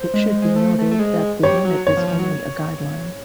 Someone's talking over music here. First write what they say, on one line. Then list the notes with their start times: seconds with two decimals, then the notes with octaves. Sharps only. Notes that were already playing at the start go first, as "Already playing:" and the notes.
It should be noted that the limit is only a guideline.
Already playing: C5
0.14 G#3
0.27 G#3
0.42 G#3
0.56 A3
0.79 A3
0.91 A3
0.99 G#3
1.43 G3 C#5
1.65 F#3
1.87 C#5
1.97 F3
2.07 F3
2.19 F#3